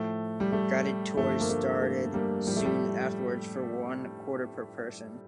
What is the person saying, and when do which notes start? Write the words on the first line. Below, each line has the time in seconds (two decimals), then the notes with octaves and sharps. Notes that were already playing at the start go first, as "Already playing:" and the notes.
Guided tours started soon afterwards for one quarter per person.
Already playing: A2 F3 A3
0.40 G3
0.52 A3
1.17 G2 D3 F3 A3
1.40 A#3
1.49 A3
1.82 A3
2.14 G3 A#3
2.47 A2 F3 G3
2.56 A3
2.65 G3